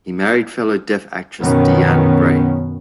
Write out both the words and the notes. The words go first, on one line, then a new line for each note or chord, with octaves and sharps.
He married fellow deaf actress Deanne Bray.
F#2 B2 D#3 B3 C#4